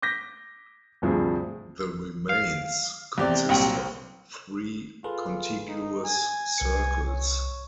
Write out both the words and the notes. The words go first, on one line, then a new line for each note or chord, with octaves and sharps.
The "remains" consist of three contiguous circles.
D6 G6 A#6 B6
D2 G2 C3 F3 G#4
F5
E2 C3 G4 D5
C2 A#2 F#3 C4 G5
F4 G#4 A4 B4
D#4
G#5
C2 B4 C#7
C#5